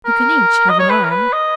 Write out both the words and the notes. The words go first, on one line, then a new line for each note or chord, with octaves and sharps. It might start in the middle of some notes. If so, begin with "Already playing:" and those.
"You can each have an arm."
A#4
D#5
C#5
B4
A#4
B4
D#5